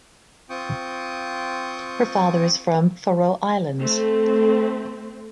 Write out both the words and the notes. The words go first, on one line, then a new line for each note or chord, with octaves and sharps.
Her father is from Faroe Islands.
C4 F4 G5 C#6 D#6
A3 C4